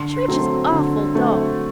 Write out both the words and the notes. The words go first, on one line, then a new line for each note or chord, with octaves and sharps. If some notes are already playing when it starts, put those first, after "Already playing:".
Church is awful dull.
Already playing: D3 C6
F#3 A3 C4
D3
F#3 A3 C4